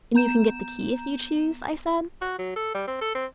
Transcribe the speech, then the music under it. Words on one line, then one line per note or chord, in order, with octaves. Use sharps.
'And you can get the key if you choose?' I said.
B3 A#5 G6 E7
F#4
F#3
A4
G3
C4
A4
C4